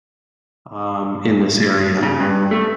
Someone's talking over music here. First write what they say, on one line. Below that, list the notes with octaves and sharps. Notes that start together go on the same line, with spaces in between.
um, in this area,"
C#3
G2
A3